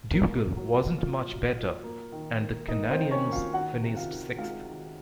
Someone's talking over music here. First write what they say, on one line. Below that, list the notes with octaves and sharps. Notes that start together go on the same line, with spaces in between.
Dugal wasn't much better and the Canadiens finished sixth.
A#2 A#3 A#4
A#3
F#3 F#4
A#2
A#2 F4
F#3
A#2
A#3
D#3
A#3
A#3 D#4
C4 C5
D#3
C#4 C#5
A#3
F4 F5
D#3 F#4 F#5
C3
F4 F5
D#3
G#3 F4 F5
D#3